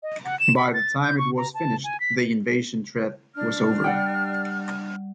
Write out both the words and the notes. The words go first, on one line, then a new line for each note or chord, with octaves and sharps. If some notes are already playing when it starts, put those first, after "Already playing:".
By the time it was finished, the invasion threat was over.
D#5
F#5
E7
B5
A6
G6
C#6
A#5
A5
G#5
B6
D4 F6
G3 F#5 G5